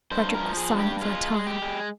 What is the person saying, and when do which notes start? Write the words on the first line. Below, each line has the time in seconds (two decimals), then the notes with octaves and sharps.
Frederick was silent for a time.
0.11 G2 C5
0.34 A#4
0.42 F3
0.57 G#4
0.72 G2
0.79 G4
1.01 G#3 F4
1.32 G#3
1.47 G4
1.62 G#3